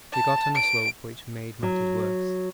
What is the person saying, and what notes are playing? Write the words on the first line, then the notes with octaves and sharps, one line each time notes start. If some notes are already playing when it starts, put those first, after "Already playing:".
We got on a slope which made matters worse.
A5
D7
F#3